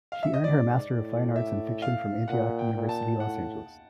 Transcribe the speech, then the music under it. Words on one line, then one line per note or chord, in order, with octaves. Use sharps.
She earned her Master of Fine Arts in fiction from Antioch University Los Angeles.
F5
E5
D#5
G#2 D5
A2
E5
F5
A#2 F#5
G5
A#2
A5
A2 F#5